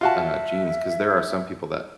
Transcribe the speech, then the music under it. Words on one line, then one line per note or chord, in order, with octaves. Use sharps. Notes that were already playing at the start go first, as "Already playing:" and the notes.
uh, genes 'cause there are some people that
F4 F#4 E5 A5